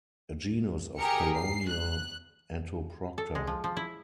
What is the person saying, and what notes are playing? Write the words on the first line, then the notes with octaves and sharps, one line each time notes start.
A genus of colonial Entoprocta.
G4 G#4 A#4 C#7
C7
F#6
A4
G#3
F3
F3
E4